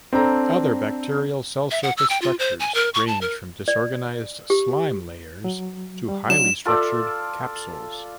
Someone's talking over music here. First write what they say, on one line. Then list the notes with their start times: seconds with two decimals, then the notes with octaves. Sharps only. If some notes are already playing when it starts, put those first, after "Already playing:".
Other bacterial cell surface structures range from disorganised slime layers to highly structured capsules.
0.13 C4 D4 A4 A#5
1.71 E5
1.83 F#5
1.97 E6
2.10 G5
2.22 F4
2.39 C5
2.60 G#5
2.74 A#4
2.94 C#6
3.07 A5
3.21 A#4
3.68 D5
4.50 G4
5.44 F#3
6.08 G3
6.30 F#3 D4 D#4 E7
6.66 F4 A4 D5 E5